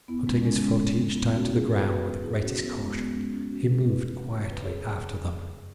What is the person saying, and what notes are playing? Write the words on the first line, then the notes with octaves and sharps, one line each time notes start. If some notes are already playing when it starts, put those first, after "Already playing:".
Putting his foot each time to the ground with the greatest caution, he moved quietly after them.
E2 B3 E4
F#3 G#3 C#4
C#3 G#3 C#4
E3 G#3 C#4
G#2
G#2
F#2 B3 E4
F#3 C#4 F#4
F#3 E4 G#4
F#3 F#4 B4
F#3 F#4 B4
F#3 F#4 B4
F#2 E4 G#4
E4
F#2 C#4 F#4
F#4
F#3 B3 E4
G#2 G#3
G#2 B3
F#3 G#3 C#4
F#2 G#3 C#4
F#3 C#4 F#4
B4
F#2 E4 G#4
F#2 F#4 B4
E3
C#3
E2 C#5
B4
E2
G#4 C#5
C#3
F#3
F#2
F#2
F#3